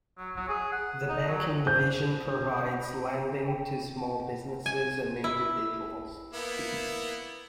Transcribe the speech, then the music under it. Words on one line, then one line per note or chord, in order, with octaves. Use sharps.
The Banking division provides lending to small businesses and individuals.
F#3
F#3
G#4
F#5
D#4
F#3
C5 G6
G5
G#5
E4
A#3 B3 E4